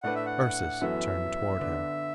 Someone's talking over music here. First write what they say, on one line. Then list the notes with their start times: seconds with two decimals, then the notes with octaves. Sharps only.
Ursus turned towards him.
0.03 A2 A3 D4 B4 F#5
0.15 E5
0.26 F#5
0.81 F#2 E3 B3 F#4 A4 E5
1.60 D3 B3 D4